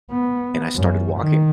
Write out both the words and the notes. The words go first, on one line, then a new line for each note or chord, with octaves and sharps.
and I started walking.
B3
F#2
D#3